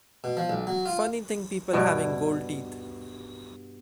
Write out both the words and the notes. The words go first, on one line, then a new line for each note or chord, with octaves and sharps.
Funny thing people having gold teeth.
B2
F3
B1
F#3
F4
G2 B2 E4 D5